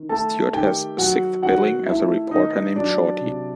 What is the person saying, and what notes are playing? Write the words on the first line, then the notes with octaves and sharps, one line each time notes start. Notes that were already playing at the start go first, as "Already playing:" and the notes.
Stewart has sixth billing as a reporter named Shorty.
Already playing: D#3
A3 A4 A5
D#3 G4 G5
F#3 F#4 F#5
D#3 F#4 F#5
A3 E4 E5
D#3 D#4 D#5
F#3 D4 D5
C3